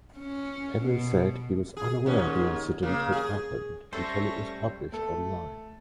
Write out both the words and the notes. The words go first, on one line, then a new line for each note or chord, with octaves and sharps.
Henry said he was unaware the incident had happened until it was published online.
C#4
B2
G#4
D#2 G#2 C#4
C#3 A#3
G#4
G3 A3 C#4 A4 C5 C#5 C#6 A#6
A3 A4